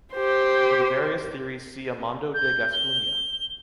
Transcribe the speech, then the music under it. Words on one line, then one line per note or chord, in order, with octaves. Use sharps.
For the various theories see Amando de Gascuña.
G4 C5
G6
G7